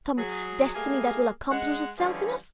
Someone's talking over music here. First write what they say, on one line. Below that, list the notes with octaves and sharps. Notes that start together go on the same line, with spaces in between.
Some Destiny that will accomplish itself in us.
F#3 G#4
G3 A3 A#3 G#4 G#5
G#3 F#5
D3 E3 F3 G3 C#4 G#4